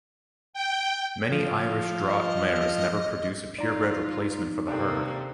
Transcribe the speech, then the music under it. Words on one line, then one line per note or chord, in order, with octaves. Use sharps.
Many Irish Draught mares never produce a purebred replacement for the herd.
G5
F3
D#5
D#4 F4 D5 A#5
C3 A#3 C4 D4 G4 A4